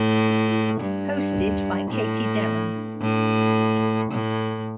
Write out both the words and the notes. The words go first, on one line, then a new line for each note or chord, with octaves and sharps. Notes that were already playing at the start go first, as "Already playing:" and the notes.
Hosted by Katie Derham.
Already playing: A2
G2
A2
A2
A2